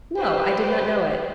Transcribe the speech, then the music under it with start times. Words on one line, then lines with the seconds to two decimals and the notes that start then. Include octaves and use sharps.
"No, I did not know it."
0.17 G4 B4 C5